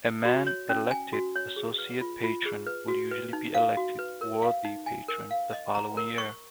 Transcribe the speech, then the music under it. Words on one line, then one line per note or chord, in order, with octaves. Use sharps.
A man elected Associate Patron will usually be elected Worthy Patron the following year.
F#4
C#5
C#4
G#5
F#4
C#5
G#4
B4
F4
F4
G#4
B4
F#4
B4
D#4
F5
F#4
B4
A#4
F5
D#4
G#5
A#4
F5
D#5
A#5
A#4
C#6